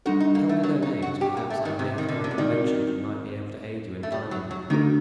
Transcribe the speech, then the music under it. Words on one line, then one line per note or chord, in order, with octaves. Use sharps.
"Tell me their names; perhaps I may have heard them mentioned and might be able to aid you in finding them."
G3 D4 F#4 A4
D#4
A#3
A3
F#3
D#4
F#4
G4
A#3
A3
D#3
C3
D#3
D3
C3
D3
D#3 C4 F#4 A#4 D5
A3
G3
F#3
F#3
D3 D#3 A3 D4 F#4 A4